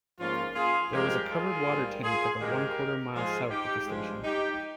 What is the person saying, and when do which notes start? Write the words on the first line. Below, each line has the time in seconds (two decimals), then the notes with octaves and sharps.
There was a covered water tank about one-quarter mile south of the station.
0.19 G#2 F3 A#3 C#4 F4
0.56 F4 G#4
0.92 G2 F3 G#3 G4 A#4
1.30 F4 G#4
1.67 G#2 G3 A#3
2.03 F4 G#4
2.40 G#2 D#3 G#3 G4 A#4
3.13 G#2 F3 G#3 F4 G#4
3.50 D#4 G4
3.87 G2 F3 G#3
4.24 D#4 G4